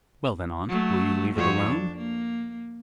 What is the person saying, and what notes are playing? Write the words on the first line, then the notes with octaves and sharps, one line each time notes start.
"Well then, aunt, will you leave it alone?"
F#3 A3
F2 F#4 C#5
D4
A#3